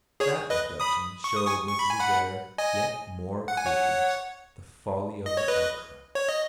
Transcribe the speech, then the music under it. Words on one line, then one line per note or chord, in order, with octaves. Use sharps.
That reflection showed Mrs. Adair yet more clearly the folly of her outcry.
G#4 C#5
B4 D#5
B5 D#6
C#6
D#6
G#5 C#6
C#6
B5
G#5
F#5 B5
D#5 G#5
F#5
G#5
C#5 F#5
D#5
C#5
B4 D#5
C#5
D#5